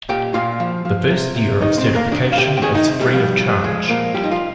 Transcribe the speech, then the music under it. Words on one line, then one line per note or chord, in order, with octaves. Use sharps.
The first year of certification is free of charge.
A#2 G4 G5
A#2 F4 F5
F3
F3
C3
C3
D#3 D#4 D#5
C4 C5
D#3
A#3 A#4
D#3 D4 D5
F5
C3 G4 G5
G5
D#3 G#4 G#5
D#4 D#5
C3
G3 G4
F3
F3
F3 G#3 G#4
A#2 A#3 A#4
F3 G3 G4
D#4
F3 F4